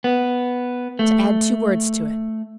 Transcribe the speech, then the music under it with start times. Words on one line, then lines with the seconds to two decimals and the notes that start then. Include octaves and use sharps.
"To add two words to it."
0.04 B3
0.99 A3